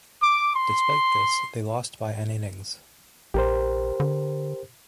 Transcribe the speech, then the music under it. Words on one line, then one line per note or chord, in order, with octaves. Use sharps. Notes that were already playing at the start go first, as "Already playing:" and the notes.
Despite this, they lost by an innings.
D6
C6
A#1 G4 A#4 C5
D3